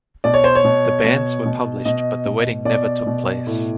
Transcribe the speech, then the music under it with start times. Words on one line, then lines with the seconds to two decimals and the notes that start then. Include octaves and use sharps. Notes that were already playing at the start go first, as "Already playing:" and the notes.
The banns were published but the wedding never took place.
0.24 B2 D5
0.34 C#5
0.44 C5
0.55 C#5
0.65 B2
1.04 B2
1.46 B2
1.85 B2 D#5
2.26 B2
2.65 B2 D5
3.07 B2
3.47 A2